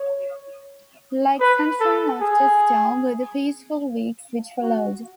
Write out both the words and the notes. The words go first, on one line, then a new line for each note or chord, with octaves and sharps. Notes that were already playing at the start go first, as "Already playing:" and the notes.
Like sunshine after storm were the peaceful weeks which followed.
Already playing: C#5
B4
A4
G#4
F#4